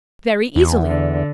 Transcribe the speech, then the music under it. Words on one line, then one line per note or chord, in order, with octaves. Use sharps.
"Very easily."
E2
D3